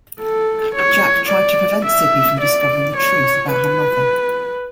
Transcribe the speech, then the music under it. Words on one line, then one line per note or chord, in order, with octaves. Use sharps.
Jack tried to prevent Sydney from discovering the truth about her mother.
A4
C#5
D5
E5
D5
C#5
B4